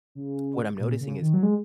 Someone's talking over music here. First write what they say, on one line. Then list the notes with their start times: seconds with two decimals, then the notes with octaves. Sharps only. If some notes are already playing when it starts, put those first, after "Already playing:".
what I'm noticing is,
0.15 C#3
0.79 A#2
1.00 C#3
1.21 D#3
1.34 F#3
1.43 G#3